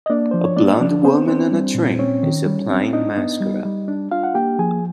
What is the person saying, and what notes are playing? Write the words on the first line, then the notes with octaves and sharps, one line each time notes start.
A blond woman on a train is applying mascara.
D#5
A#3 D4 D5
F3 C5
C#5
A#3 D4 D5
F3 D4 D5
B3 C4 C5
C4 D4 C5
G3
A#2
C4 C#4 C#5
D#3
G3
C4
D4 D#4 D#5
B3
G3
G3
D4
D4 F4 F5
F#5
A#3 G4 G5
F3 G#4 G#5